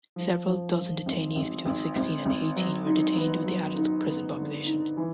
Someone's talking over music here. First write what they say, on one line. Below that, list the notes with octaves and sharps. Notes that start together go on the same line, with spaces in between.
Several dozen detainees between sixteen and eighteen were detained with the adult prison population.
F3
F3
F3
G#1
G#1
G#1
G#1
G#1
F#3
D#4
B3
F#3
D#4
B3
D3
D#4
E3